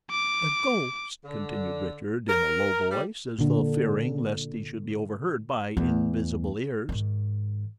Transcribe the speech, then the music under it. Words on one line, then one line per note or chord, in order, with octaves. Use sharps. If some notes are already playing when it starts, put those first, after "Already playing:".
"The ghost!" continued Richard, in a low voice, as though fearing lest he should be overheard by invisible ears.
D6
D3
A#4
G3
A#2 D3
E2 A3
G#2 D#3